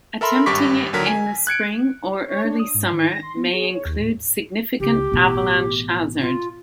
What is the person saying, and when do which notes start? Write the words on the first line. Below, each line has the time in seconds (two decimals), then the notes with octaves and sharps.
Attempting it in the spring or early summer may include significant avalanche hazard.
0.21 A4 A#4 E5 B5 C6
0.46 G#1 G2 G4 C#6 D6 B6
0.93 D#2 D3 F#3 A#4 B6
1.06 G#5
1.47 F#6 G#6 C#7 D7
2.26 C#5
2.44 D4
2.59 D#6
2.74 G#2
2.92 D#3
3.08 A#6
3.23 C6
3.36 B3
3.53 G#4
3.69 C#5
3.85 D#2
4.00 A2
4.80 C#2 G4
5.12 A1 B2
6.21 F4